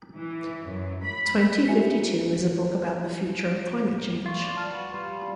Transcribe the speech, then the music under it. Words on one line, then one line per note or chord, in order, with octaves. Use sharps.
Twenty fifty-two is a book about the future of climate change.
E3
F#2
B5
F4 G4 E5 G#5 C#7
F4 C6 C#6 A6
F4 D5
A5 F6
F#4 B4
G3 F4